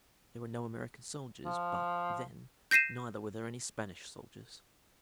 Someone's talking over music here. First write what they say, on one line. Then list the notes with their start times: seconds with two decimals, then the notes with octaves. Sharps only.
There were no American soldiers, but, then, neither were there any Spanish soldiers.
1.45 F3
2.71 G6 A#6 C7 D#7 E7